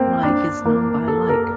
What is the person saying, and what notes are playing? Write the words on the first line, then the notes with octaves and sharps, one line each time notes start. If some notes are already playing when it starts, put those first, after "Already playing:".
Like is known by like.
Already playing: A#3 C4
D4
A#3
A4
A#4